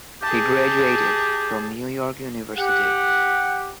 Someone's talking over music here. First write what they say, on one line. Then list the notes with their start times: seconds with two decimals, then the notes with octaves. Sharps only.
He graduated from New York University.
0.22 G4 G#4 A5
2.58 G4 F#5